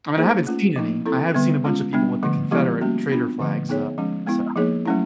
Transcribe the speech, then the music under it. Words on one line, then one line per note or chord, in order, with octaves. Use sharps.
I mean, I haven't seen any, I have seen a bunch of people with the Confederate Trader flags, though, so.
A#3 D#4 G#4 C5
A3 C#4 F4
F3 A#3 D#4
C4 E4 A4
D3 G3 B3
G#3 C#4 F4
G3 B3 D4
D3 F3 A3
F3 G#3 B3 E4 G4
G3 A#3 C#4 F#4
B3 D4 F4
D3 F3 A3
B3 D#4 G#4 C#5
F3 G#3 C#4
G#3 B3 E4
F3 A#3 D#4 G#4 C#5
F#3 A3 C#4 E4